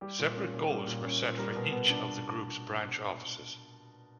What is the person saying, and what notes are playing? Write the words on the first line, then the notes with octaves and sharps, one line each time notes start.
Separate goals were set for each of the group's branch offices.
G3 G4
A#2
C#4
A#2
G3
A#2
C#4
A#2
G3 A#4
B2
B3
D4